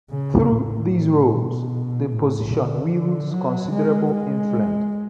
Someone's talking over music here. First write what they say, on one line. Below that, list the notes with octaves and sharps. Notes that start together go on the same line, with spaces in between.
Through these roles the position wields considerable influence.
C#3
A2
B2
A2
D3
D3
F#3
G#3
G#3